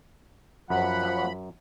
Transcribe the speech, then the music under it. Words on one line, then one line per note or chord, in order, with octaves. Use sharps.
Poor fellow!
F#2 F3 F#5 B5